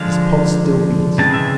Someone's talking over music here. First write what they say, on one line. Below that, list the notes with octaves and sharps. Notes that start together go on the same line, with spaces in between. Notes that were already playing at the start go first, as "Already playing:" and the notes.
His pulse still beats.
Already playing: D3 F3 G#3 F5
C#3 E3 G#3 C4 A5
E5